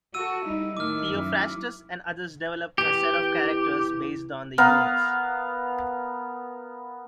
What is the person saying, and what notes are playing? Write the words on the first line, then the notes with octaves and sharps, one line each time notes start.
Theophrastus and others developed a set of characters based on the humors.
F#4 A4 E6 D#7
G3 D#4 E4
A2 D#3 A3 D6 F6
F#2 E4
E2 E3 G4
B3 A#4 F5